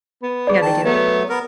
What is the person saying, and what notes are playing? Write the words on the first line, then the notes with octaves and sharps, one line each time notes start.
Yeah they do.
B3
G#4 D5
D#3 A5
F#3 A3 B3
B3 A#4